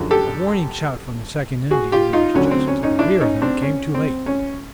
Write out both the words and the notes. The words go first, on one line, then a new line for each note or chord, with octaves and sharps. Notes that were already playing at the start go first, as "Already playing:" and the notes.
A warning shout from the second Indian, who was just to the rear of them, came too late.
Already playing: F#2 D3 F3 G#3
G4 A4
F#4 G#4
F4 G4
D#4 F4
D2 D3 F#3 C#4
C4
C#4
C#4 D#4
D4 E4
C#4 D#4
C4 D4
C#4
C4
C#4